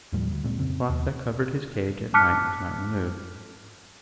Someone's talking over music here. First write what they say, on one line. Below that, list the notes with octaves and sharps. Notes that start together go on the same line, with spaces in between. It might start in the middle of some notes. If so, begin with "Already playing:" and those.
The cloth that covered his cage at night was not removed.
D#2 A2 F3 G3
D2
D1 A#2 G#3 C4
F2 C#3 C4
D#2
A5 D6 F6 F#6 B6 C#7